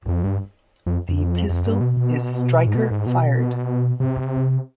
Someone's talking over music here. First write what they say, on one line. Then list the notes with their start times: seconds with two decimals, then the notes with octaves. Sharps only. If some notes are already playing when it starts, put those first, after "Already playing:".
The pistol is striker fired.
0.08 F2
0.24 G2
0.86 F2
1.09 F2
1.49 F2
1.65 G2
1.81 B2
1.97 B2
2.67 G#2
2.75 B2
2.91 G#2
3.06 B2
4.00 C3